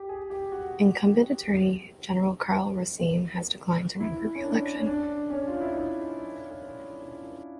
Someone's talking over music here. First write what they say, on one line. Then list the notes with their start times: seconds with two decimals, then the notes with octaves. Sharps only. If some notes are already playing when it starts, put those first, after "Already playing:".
Incumbent Attorney General Karl Racine has declined to run for reelection.
Already playing: G4
0.09 G#4
0.30 G4
0.52 F#4
4.00 E4
4.35 C#4
4.43 D4
4.75 C#4
4.87 D4
5.30 C#4
5.48 F4
5.61 E4
5.73 D#4